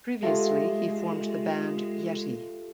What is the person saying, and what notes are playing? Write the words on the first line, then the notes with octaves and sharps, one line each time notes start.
Previously, he formed the band Yeti.
G#3 A3 F4 G4